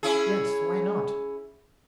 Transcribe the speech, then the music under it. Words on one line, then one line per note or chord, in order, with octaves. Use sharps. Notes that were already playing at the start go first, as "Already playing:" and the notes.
"Yes, why not?"
C#4 E4 G#4